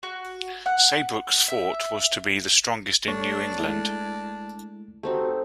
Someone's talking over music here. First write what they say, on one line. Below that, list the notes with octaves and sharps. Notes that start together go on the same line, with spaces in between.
Saybrook's fort was to be the strongest in New England.
F#4
F#5
E5
A3 D4 C#5 C#6
G#3 A3 E4
A3 C4 D#4 F#4 G4